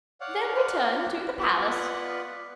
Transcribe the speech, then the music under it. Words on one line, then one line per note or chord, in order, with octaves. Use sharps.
"Then return to the Palace."
C#5 D5 F5 F#5
B3 F4 B4 D5 F#5